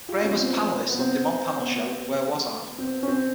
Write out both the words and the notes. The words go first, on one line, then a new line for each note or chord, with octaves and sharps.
Graham was a panelist on the DuMont panel show Where Was I?
F4 G4
B3 C#4
C4
B3
C4
B3
C4
C#4
C4